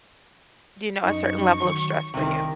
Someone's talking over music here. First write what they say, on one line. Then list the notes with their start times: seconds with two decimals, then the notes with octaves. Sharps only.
you know, a certain level of stress for you?
1.04 F#2 D#4 C#6
1.63 D#3 F#3
2.14 C2 C3 D#3